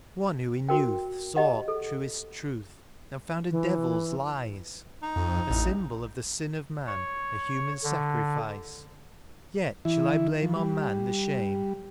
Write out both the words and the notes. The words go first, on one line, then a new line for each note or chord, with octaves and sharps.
One who in youth sought truest truth, and found a devil's lies; A symbol of the sin of man, a human sacrifice: Yet shall I blame on man the shame?
F#4 A#4 G5
G4 D#5 F#5
A4
E3
D#4
F2
A1
C#5
D3
E3 E4
F3
G3